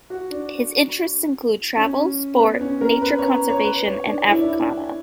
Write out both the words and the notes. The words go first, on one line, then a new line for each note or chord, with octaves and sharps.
His interests include travel, sport, nature conservation and Africana.
F#4
D4
C#4
B3
C#4
A#4
B4
C#5
C#5
B4
C#5
D4
E4
D4
E4
D4